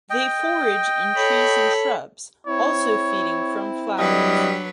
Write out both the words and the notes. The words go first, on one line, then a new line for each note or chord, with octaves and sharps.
They forage in trees and shrubs, also feeding from flowers.
D#5 G5
A4 C#5 B5
C4 E4 C#5
F#3 G3 D4 B4 D#5